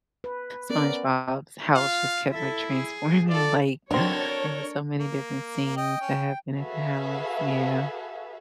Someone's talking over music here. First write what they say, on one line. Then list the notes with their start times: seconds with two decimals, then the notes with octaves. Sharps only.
SpongeBob's house just kept, like, transforming, like it was so many different scenes that happened at the house, yeah.
0.24 B4
0.70 B3 C#4 A#4 D5
1.75 F4 F5
2.31 E4 A4 E5
2.71 G#4
3.29 F4 A4 D5
3.91 F#3 C4 D4 A4 A#4 C#5
4.99 A#3
5.77 D#5 G5
6.01 C#4
6.57 F#4 G#4 A4 B4 E5 F5